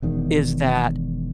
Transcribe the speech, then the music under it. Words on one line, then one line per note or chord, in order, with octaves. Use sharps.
is that
E1 E2 D#3